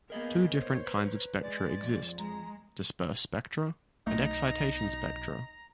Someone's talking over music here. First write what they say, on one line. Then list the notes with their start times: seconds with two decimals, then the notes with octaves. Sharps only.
Two different kinds of spectra exist, disperse spectra and excitation spectra.
0.10 A#3 B3 G#4 A#4 D#5
0.54 C5 C#5
0.86 B4 A#5
1.43 G#3 D5
1.83 F2
2.19 G#3 A#5
4.07 B1 A3 D#4 A#5